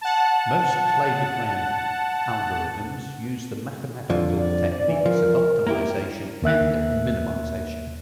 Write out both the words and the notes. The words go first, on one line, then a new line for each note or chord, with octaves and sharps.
Most cladogram algorithms use the mathematical techniques of optimization and minimization.
F#5 A5
F2 D3 F3
D5
E3
F3 A#4
A#3 E4 G4
D#2 A#3 E5 F#6